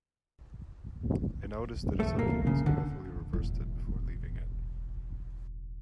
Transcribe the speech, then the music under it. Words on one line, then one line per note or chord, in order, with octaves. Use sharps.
I noticed that its occupants carefully reversed it before leaving it.
A3
A#3
C#3
D3
E1 A1